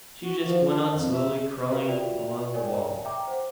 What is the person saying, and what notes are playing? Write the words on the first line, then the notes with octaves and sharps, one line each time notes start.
She just went on slowly crawling along the wall.
F#4
F3
D4
F2
E5
F#4 G4 A#4 B4 E5 F5
F4 F#4 D5 E5 G5 F7
A#4 C#5 D5 G5 G#5
E5 G5 A#5 D6
C5 F#5